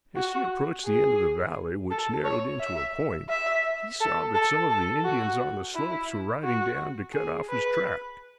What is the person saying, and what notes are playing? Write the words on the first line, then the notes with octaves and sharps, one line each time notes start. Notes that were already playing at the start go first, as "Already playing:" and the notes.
As he approached the end of the valley, which narrowed into a point, he saw that some of the Indians on the slopes were riding down to cut off his track.
F#4
G#4
A4
C#5
E5
E5
A4
A4
A4
F#4
E4
F#4
G#4
B4